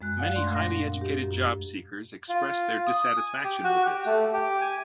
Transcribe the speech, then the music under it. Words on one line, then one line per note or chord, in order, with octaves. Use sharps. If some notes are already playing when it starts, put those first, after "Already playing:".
Many highly educated job seekers express their dissatisfaction with this.
F#2 G#3 F#6
D5 F5 F#5 G#5
A3 D4 C6
A#2 F5 A#6
G4
F#2
F4
D#6
G#5
G4
F#4
G4
A3
G4
G#5